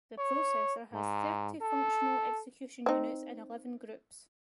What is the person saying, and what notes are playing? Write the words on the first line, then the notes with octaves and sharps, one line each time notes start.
The processor has thirty functional execution units in eleven groups.
C#5
G#2
A4
C4 D#4